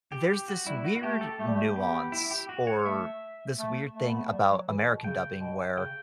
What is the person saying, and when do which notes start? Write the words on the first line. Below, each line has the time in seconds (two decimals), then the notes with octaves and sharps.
there's this weird nuance, or this weird thing about American dubbing where
0.12 G4
0.30 G4
0.48 F#4
0.66 G3 E4
0.85 F#4
0.96 F#4
1.03 A3 G4
1.21 A4
1.39 A3 G4
1.47 G3
1.54 A3
1.76 B3 G4
2.12 E4
2.31 G4
2.49 F#4
2.67 C#5
2.85 A3 E5
3.59 A3
3.95 A3
4.07 B3
4.17 A3
4.32 G3
4.50 F#3
4.68 E3
4.86 B2
5.04 C#3 G5
5.40 B2
5.77 C#3 G5